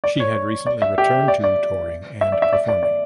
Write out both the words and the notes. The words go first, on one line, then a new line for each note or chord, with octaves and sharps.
She had recently returned to touring and performing.
D5
C#5
D5
E5
G4
D5
D5
E5
D5
E5
D5
D5
D5